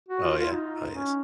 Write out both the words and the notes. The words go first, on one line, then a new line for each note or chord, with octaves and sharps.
Oh, yeah. Oh, yes.
F#4
F4
F4
D#4
C#4